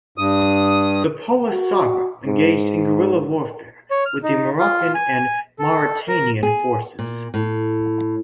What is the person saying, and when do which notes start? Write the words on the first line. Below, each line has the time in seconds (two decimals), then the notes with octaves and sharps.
The Polisario engaged in guerrilla warfare with the Moroccan and Mauritanian forces.
0.18 G2 D#6
1.53 F#4
2.27 G#2
3.91 C#5
4.06 F6
4.23 D#4
4.59 F4
4.94 G#5
5.59 A4
6.08 A#4
6.43 G#4
6.99 A#2
7.34 A2